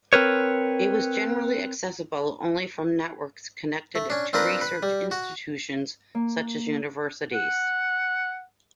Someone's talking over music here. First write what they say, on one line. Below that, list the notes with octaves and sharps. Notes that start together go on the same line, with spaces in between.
It was generally accessible only from networks connected to research institutions such as universities.
C4 A#4 B4 C#5
A3
C#4 D4
C4 D4 F4 A#4 B4
B4
G3
F#4
A#3
F#5